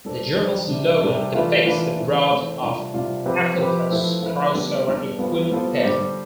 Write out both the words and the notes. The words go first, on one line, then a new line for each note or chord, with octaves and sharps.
The journal's logo depicts the Rod of Asclepius crossed over a quill pen.
G3 D4 A4 C5
G3 D4 A4 C5
C3 G3 D4
C3 G3 D4
E3 A3 D4 F4 B4
E3 A3 D4 F4 B4
E3 A3 C4
E3 A3 C4
C3 G3 D4 F4
C3 G3 D4 F4
F3 C4 G4 B4
F3 C4 G4 B4
F3 A3 E4 B4
F3 A3 E4 B4
D3 G3 B3 D4 G4
D3 G3 B3 D4 G4
G3 B3 F4 A4 C5
G3 B3 F4 A4 C5
D3 G3 D4 G4 C5